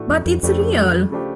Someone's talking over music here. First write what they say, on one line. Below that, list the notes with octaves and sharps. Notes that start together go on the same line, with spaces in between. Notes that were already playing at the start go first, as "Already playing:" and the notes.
But it's real!
Already playing: A2 E3 A3 D4 F#4
F2
F2
F2 C#3 F3 A3 D4 G4
C#3 F3 A3 D4 G4